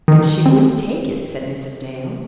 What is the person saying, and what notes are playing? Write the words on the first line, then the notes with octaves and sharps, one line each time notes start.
"And she wouldn't take it," said Mrs. Dale.
D#3
C4